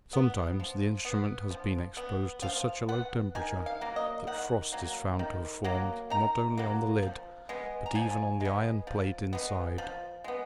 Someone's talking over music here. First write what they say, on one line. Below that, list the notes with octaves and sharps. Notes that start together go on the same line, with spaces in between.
Sometimes the instrument has been exposed to such a low temperature that frost is found to have formed not only on the lid, but even on the iron plate inside.
B3
F3
B3
F3
B3
F3 F5
B3 F#5
D#3 G#5
F5
F#3 A#3
D#5
D#3 F#5
F#3 A#3
D#3
F#3 A#3
D#3 A#5
F#3 A#3
F3
G#3 B3
A#5
F3 G#5
G#3 B3
F3
G#3 B3
F3
G#3 B3